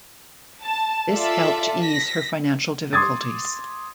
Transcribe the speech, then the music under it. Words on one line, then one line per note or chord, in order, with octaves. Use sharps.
This helped ease her financial difficulties.
A5
F4 A4 D5 E5
A#6 B6
C6 D6 D#6 G#6 A6